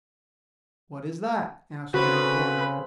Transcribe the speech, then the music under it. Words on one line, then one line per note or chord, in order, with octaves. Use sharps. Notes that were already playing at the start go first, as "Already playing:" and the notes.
"What is that?" asked the reporter.
C#3 C4 F#4 A4 B4 C5